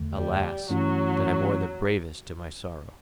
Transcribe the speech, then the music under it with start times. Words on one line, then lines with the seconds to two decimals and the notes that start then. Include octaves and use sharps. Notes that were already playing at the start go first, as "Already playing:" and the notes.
Alas! that I bore the bravest to my sorrow.'
Already playing: E2 D3 A3
0.14 G3
0.70 G2 E3 F#3 A3 C#4 E4